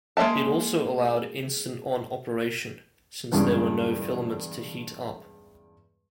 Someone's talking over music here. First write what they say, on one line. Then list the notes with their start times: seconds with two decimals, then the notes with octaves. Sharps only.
It also allowed "instant-on" operation, since there were no filaments to heat up.
0.17 G#3 A#3 D#5 E5 A5
3.32 E2 G2 C#3 G3 G#3